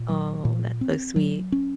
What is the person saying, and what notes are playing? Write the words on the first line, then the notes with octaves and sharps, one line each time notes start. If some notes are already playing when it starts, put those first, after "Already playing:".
Oh, that's so sweet.
Already playing: A#2
F#3
A#2
C4
F#3
C#4